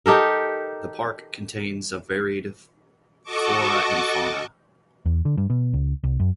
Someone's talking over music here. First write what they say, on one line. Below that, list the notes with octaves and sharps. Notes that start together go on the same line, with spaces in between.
The Park contains a varied flora and fauna.
D#4 G4 A4 A#4
F#4 A4 D#5 A5 C#6 D6
E2
D3
G2
B2
C#2
C2
F#2